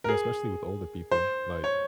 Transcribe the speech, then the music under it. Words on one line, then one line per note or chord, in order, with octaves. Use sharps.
Yeah, especially with older people. Like,
A#4
G#4
C5
C#5